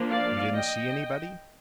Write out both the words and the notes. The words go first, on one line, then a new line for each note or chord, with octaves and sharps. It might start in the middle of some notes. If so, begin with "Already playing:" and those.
"You didn't see anybody?"
Already playing: F3 A#3 D4
D5 F5
D#5 G5